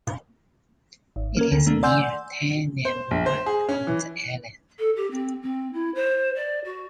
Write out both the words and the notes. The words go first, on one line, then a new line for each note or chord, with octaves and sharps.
It is near Tai Nam Wan on the island.
G#1
A#3 C#4 A#4
D2 D3
D#3 A3 A#3 D4
D5 F#5 G#5 C6 E6 G6
C5
A#1
C5
G#4
C#4
E3
A4
G4
C4
C4
E4
C5
D5
F#4